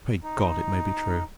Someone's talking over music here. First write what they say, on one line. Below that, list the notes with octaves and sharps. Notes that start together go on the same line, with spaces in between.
Pray God, it may be true!
D#4